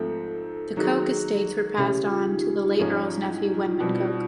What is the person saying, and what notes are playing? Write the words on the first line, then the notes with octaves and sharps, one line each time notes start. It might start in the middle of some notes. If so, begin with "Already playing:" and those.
The Coke estates were passed on to the late Earl's nephew Wenman Coke.
Already playing: G#2 F3 A3 C4 A4
D#3 F#3 A#3 D#4 F#4 G#4
C#3 E3 A3 C#4 G4
F4
D#4
G#2 F3 G#3 C#4
E4
F4
B2 G3 C4